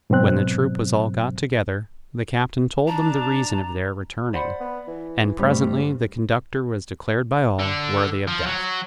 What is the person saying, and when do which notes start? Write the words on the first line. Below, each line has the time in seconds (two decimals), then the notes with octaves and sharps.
When the troop was all got together, the captain told them the reason of their returning; and presently the conductor was declared by all worthy of death.
0.10 G#2 B2 F#3 C4 F#6
2.88 D4 A5 A#5
4.34 C5 D5 F#5 B5
4.60 B3
4.88 E3
5.39 G2 G3 A3 C4
7.59 D3
8.28 F3
8.46 F#3